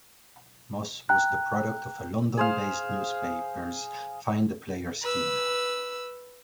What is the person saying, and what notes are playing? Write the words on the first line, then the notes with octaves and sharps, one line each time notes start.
Moss was the product of a London-based newspaper's 'find-a-player' scheme.
G5 A#5 F#6
G#4 C5 F5
B4 E6